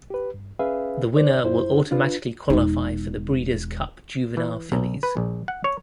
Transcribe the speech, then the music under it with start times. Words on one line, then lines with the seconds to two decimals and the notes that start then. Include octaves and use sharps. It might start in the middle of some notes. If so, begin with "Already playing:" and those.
The winner will automatically qualify for the Breeders' Cup Juvenile Fillies.
0.10 G4 B4
0.34 G2
0.59 C#4 G#4 B4 E5 F5
1.16 C5 D5
1.44 F#2 E4 C5
1.91 D4 F4 B4
2.50 E1 D#4
4.37 E3
4.72 B1
5.03 B4
5.17 A#1
5.48 F#5
5.64 C#5